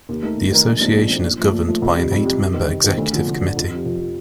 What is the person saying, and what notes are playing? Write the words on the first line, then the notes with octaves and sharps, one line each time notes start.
The association is governed by an eight-member Executive Committee.
D#2
D#3 A3 D#4 A#4
D#2
D#3 A3 D#4 A#4
A#1
A#2 A3 C4 D#4
A#1
A#2 A3 C4 D#4
A#2
F3 A3
A#2
F3 A3
F2
C3 G3
F2
C3 G3
C3
D#3 G3 C4
C3
D#3 G3 C4
D2
D3 F3
D2
D3 F3
F2
C3 F3
F2
C3 F3